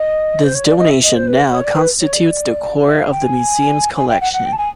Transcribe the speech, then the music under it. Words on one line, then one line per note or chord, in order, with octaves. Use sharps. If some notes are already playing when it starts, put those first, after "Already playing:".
This donation now constitutes the core of the museum's collection.
Already playing: D#5
C5
C#5
D5
D#5
E5
D#5
C5
B4
C#5
D5
B4
C#5
D5
E5
F5
G5
G#5
G#5
G5
F#5
F#5
G5
A5
G#5